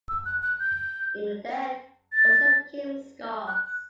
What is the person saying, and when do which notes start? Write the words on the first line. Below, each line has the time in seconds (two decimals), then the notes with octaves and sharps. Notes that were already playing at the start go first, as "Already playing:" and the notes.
Even that also became scarce.
0.09 E6
0.26 F#6
0.42 F#6
0.60 G6
2.12 A6
3.48 F#6
3.65 F#6